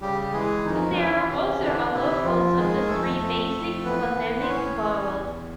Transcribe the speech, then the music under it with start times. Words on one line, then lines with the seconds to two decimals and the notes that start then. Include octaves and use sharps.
But, there are other allophones of the three basic phonemic vowels.
0.01 C#3 G3 G4
0.22 G4
0.33 E3 G#3 G#4
0.65 F2 D#3 D#4
0.93 D4
0.97 E3 C#4
1.29 C3 C#4
1.61 D3 E3 D4
1.93 C3 E3 E4
2.25 F2 F3 F4
2.57 D#3 G#3 G#4
2.88 F2 A3 A4
3.21 F2
3.53 F2
3.84 E3 B3 B4
4.17 E3
4.41 C5
4.48 A2 C#4 C#5
4.81 E3
5.12 E2